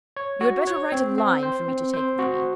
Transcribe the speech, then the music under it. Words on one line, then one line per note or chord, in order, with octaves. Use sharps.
You had better write a line for me to take with me.
C#5
F#4
C#5
C4
C4
C5
C4
C5
F#4